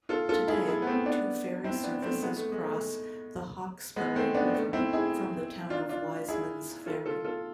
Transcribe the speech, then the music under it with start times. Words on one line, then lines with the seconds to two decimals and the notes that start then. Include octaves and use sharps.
Today, two ferry services cross the Hawkesbury River from the town of Wisemans Ferry.
0.09 F4 A4
0.29 F4 A4
0.48 E4 G#4
0.67 E4 G#4
0.82 B3
0.87 A3 C4
1.06 B3 D4
1.64 C4 E4
1.83 B3 D4
2.02 A3 C4
2.22 G#3 B3
2.36 A3
2.52 G#3
2.66 A3
3.96 G#3 B3
4.15 A3 C4
4.34 B3 D4
4.54 A3
4.73 C4 E4
4.93 E4 G#4
5.70 D4 F4
5.89 D4 F4
6.28 E4 G#4
6.86 F4 A4
7.06 F4 A4
7.24 F4 A4